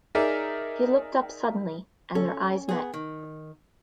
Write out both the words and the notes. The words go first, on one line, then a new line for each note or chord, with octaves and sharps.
He looked up suddenly, and their eyes met.
D#4 G#4 A#4 D5 E5
C#4 A4
B3 G#4
D#3